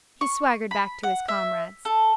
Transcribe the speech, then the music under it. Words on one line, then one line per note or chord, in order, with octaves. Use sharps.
He swaggered back to his comrades.
C#6
B5
F#5
E5
A4